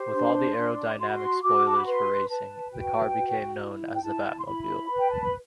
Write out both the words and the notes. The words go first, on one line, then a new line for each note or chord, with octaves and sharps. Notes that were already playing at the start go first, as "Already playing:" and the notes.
With all the aerodynamic spoilers for racing, the car became known as the 'Batmobile'.
Already playing: G4 C5
D4 C6
D4
F#4 C6
B5
C6
F#4 D6
A5
B5
B4 C6
B4 A5
F#4 G5
F#4
E4
G5
E4 A5
C6
E4 B5
B4
G5
A5
B5